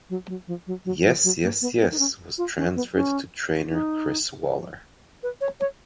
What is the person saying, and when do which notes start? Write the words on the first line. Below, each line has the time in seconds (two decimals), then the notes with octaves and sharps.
Yes Yes Yes was transferred to trainer Chris Waller.
0.10 F#3
0.28 F#3
0.47 F3
0.67 F#3
0.85 F#3
1.05 F3
1.24 F#3
1.43 A#3
1.61 B3
1.81 B3
1.91 D#4
1.99 C#4
2.38 F4
2.57 C#4
2.76 B3
2.95 C#4
3.71 D#4
5.23 B4
5.41 C#5
5.60 C#5